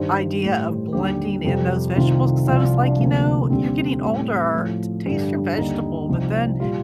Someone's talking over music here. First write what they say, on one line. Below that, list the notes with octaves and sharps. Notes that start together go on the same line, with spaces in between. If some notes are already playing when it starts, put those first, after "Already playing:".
idea of blending in those vegetables, 'cause I was like, "You know you're getting older, t taste your vegetable but then,
Already playing: G2 D#3 G3 C5
A2 G3
D#2 D3 G3 G4
F2 C3 G3
C2 C3 D#3 F4
C2 C3 F3 F4
D4
D2 C3 F3 A#3
D#2 D3 G3 C4
A2 G3
A2 F3
G2 D3 G3
D#2 D3 G3 D#4
C2 C3 F3
A#2 G3 F4